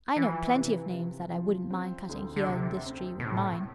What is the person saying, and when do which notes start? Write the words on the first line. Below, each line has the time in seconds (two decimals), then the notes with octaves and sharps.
"I know plenty of names that I wouldn't mind cutting here in this tree with mine."
0.16 E3 F3
0.54 C3
0.94 C3
1.32 F3
1.70 C4
2.09 D2
2.36 D3
2.47 D2 C3
2.86 C4
3.20 B2
3.25 A2 C3